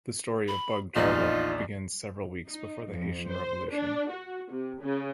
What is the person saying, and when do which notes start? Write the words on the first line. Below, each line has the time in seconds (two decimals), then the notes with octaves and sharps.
The story of Bug-Jargal begins several weeks before the Haitian Revolution.
0.48 B5
0.96 A#1 E2 D#4 F4 D5 D#5
2.48 D#4
2.90 F2
3.28 C5
3.71 D4
4.10 F#4
4.51 C3
4.81 C#3